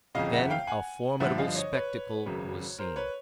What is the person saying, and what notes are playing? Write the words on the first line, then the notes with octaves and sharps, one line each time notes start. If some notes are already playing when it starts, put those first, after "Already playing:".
Then a formidable spectacle was seen.
G1 F2 C#3 D#5 F5
E5 F#5
F5 G5
F#5 G#5
G2 D3 F3 E5 F#5
D#5 F5
C#5 D#5
B4 C#5
G#1 F#2 C#3
A#4 C5
B4 C#5